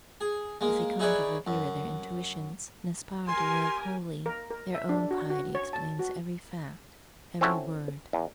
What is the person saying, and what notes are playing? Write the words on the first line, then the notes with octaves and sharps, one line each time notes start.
As they come to revere their intuitions and aspire to live holily, their own piety explains every fact, every word.
G#4
G#3 A#3
D#4 E4 G#4 B4 C#5 D5
F#2
G4 A#4 G#5 C6
A#4
A#4
E5
D4
F#4
F#4
C#5
A5
F#4
C4 C#4 E4 F#4 A4 E5
E2